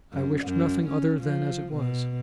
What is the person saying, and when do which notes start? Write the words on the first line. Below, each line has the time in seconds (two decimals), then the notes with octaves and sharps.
I wished nothing other than as it was.
0.13 F#2
0.44 F#2
0.87 C#4
1.20 F3
1.73 B2